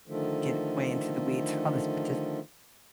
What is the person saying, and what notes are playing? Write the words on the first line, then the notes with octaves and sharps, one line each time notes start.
get way into the weeds on the spetif
D3 D#3 F3 A3